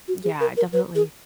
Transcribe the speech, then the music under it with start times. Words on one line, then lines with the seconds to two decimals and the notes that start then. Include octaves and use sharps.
Yeah, definitely.
0.08 F#4
0.24 G#4
0.40 A#4
0.57 A#4
0.73 B4
0.95 G#4